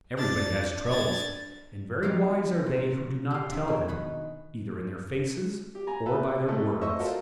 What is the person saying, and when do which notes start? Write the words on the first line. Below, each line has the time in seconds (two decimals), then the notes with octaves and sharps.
Everybody has troubles; and very wise are they who do not tell them, either in their faces or by their words.
0.18 D4 A6
0.87 G#6 A6
2.03 E2 F#3 D#4 G4 F5
2.66 A#2
3.31 G4 F5
3.51 C3 D4 E5
3.68 B2 F3 G#3
3.88 D#3 B4 B5
5.75 G4
5.87 G#5 A#5
6.06 A4 B4 E5
6.48 G#3 A3 A4
6.81 C5 D#5 E5 C#6 E6
6.99 F4 F#4 A4 A#4 C5 E5